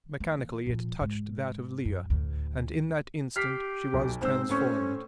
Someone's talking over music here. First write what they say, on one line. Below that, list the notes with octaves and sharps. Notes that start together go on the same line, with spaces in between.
Mechanically it touched that of Lilla, and in that instant she was transformed.
E3 A#3
A#2 F3
G#2
F#2
D2 A2
G4 F6 B6 C7
B1
G#2 C4 C5 E6
A2 C#4 C5 C#6